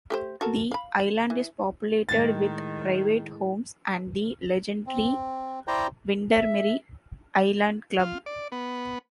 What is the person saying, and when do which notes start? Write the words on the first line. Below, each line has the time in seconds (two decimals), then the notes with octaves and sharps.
The island is populated with private homes and the legendary Windermere Island Club.
0.10 A3 G4 C5
0.41 F#4 A4 A#4
0.72 F5 B5
1.30 E3
2.09 A2 D#3 G#3 A6
4.87 C4
5.68 E4 C5 D5 G5 A#5
6.32 E5
7.99 F4
8.26 D5
8.52 B3